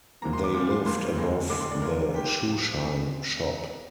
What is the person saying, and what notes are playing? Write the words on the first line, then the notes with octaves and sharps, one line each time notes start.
They lived above the shoeshine shop.
C2 C3 F3 A#3 A#5
C6
D6
C2 A#2 G3 D6
C6
G#1 G2 F3 A#3 C6
D#2 D3 G#3 C4
F1 D#2 D3 G#3 D6
C6
D5
F1 D#2 D3 F3 A#4
G#1 G#2 D#3 A#3 G4
D2 C3 F3
C4